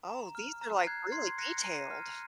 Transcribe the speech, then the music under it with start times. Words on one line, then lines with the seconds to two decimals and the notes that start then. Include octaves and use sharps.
Oh, these are like really detailed.
0.10 A#5
0.35 F6
0.61 A#5
0.86 F#6 G#6 C7
1.12 C6 G#6 C7
1.38 F#6 A#6 C#7
1.64 A#5 C7 D#7
1.91 F6